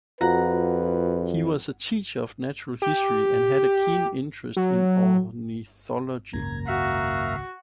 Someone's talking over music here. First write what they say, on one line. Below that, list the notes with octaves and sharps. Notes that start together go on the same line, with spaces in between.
He was a teacher of natural history and had a keen interest in ornithology.
F2 F4 F#4 B4 F#5 A#5
G4
F#3
G#1 C#2 F#2 C#3 A#3 A#5 G#6
F#4 E5 F5